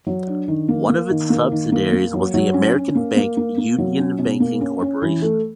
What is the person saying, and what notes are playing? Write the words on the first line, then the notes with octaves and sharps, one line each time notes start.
One of its subsidiaries was the American bank Union Banking Corporation.
F#3
D4
D#3
A#3
A#3
D#3
A#3
D#3
A#3
A#3
F#3
F#3
C#4
C#4
A#3
A#3
A#3
A#3
F#3
C#4
B2
A#3
C#4
C#4
E3
A3